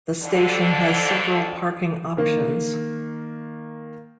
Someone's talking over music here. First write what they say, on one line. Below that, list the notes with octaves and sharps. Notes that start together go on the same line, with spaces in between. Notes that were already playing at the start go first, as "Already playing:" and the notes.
The station has several parking options.
F2 D3
D#3 A#3